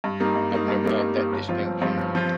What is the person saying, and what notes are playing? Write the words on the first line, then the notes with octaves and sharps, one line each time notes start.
I've never had that distinction.
G2
G3 A#3 D#4
G2
G3 A#3 D#4
G2
G3 A#3 D#4
G2
G3 A#3 D#4
G1
G2 F3 C4 F4
G1
G2 F3 C4 F4
G1
F3 C4 F4